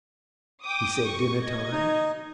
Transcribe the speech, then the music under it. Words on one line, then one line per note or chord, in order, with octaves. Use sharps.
'He said dinner-time.'
G5 D6 D#6
C#6
D#5 G#6
D#4